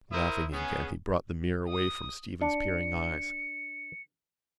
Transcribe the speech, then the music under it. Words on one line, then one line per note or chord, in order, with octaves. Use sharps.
Laughing again, he brought the mirror away from Stephen's peering eyes.
E4 A#4 C5 D#6
B3 C#4 G#4
D#6
D4 C#7